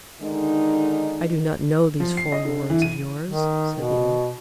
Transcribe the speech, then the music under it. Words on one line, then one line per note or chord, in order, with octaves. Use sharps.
"I do not know these foreign words of yours," said the Oak.
D3 D#3 G#3 D#4
F3
C7
D#5
D3
E3
D#7
D#3
B2